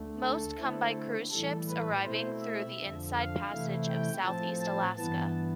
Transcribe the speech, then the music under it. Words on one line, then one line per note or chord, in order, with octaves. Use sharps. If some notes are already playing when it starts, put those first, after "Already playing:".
Most come by cruise ships arriving through the Inside Passage of Southeast Alaska.
Already playing: D2 D3 A3
A4
D3 A3 C4 E4
A2 E3 G3 A4
B4
B2 A3 C4 E4 C5
E5
F2 D3 F3
F5
C3 E3 A3 E4
G5
A2 F3 C4 A5
A5
G2 E3 B3 A5